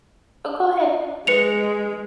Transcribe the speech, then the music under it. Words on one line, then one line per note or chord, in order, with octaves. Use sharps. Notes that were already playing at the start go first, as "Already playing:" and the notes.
Oh, go ahead, no.
G#3 B4 C#7 F7